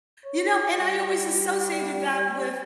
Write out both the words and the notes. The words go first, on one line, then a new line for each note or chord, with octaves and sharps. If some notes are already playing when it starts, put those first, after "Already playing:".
You know, and I always associated that with
C#5
G3